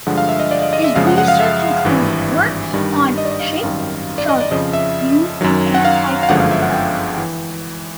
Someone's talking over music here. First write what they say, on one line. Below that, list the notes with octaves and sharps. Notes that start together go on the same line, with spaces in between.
His research included work on shaped charges, used in anti-tank weapons.
G2 D3 F3 G#3 F#5
F5
E5
D#5
D5
D#5
D#5
E5
F#2 C#3 F3 G#3 F5
F#5
F#5
F5
E5
G#1 G2 E3
G2 D#3 G3
D#5
D5
D#5
F5
G#1 F#2 D#3 G3 F5
D5
D#5
D5
F2 C#3 F3 D#5
E5
F#2 D#3 F#3
F#5
F5
F5
G1 F#2 D3 F3 G#3 F#5
F5
E5
F#5
G5
E3